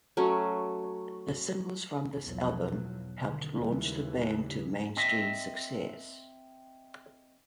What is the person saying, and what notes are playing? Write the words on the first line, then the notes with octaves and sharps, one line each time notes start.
The singles from this album helped launch the band to mainstream success.
F#3 A3 C#4
B1 E2 B2 F3 F#3
B2 D3 D#3
D#2 C#3 E3 G3 G#3
C4 D#5 E5